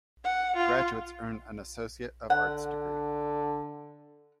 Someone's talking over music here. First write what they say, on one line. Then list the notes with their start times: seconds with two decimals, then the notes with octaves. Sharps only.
Graduates earn an Associate of Arts degree.
0.24 F#5
0.56 F4
2.30 D3 F#5